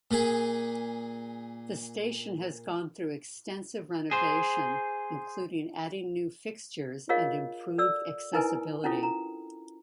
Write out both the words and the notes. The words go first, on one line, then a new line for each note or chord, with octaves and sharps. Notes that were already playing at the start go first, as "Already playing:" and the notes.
The station has gone through extensive renovation including adding new fixtures and improved accessibility.
A#2 G#4
G#4 C5
F4 G#4 A#4 C#5 D#5 F5
A4 D5 E6
D#4 E4 A#4 B4 G#5
C#4 D4 E4 F4 A4
A#5